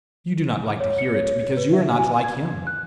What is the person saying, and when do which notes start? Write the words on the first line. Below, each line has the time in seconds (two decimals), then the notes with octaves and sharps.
You do not like to hear it because you are not like him.
0.80 C#5
0.98 C#7
1.14 C#5
1.57 B4
1.73 E5
1.99 G#5
2.24 G#6
2.67 F#6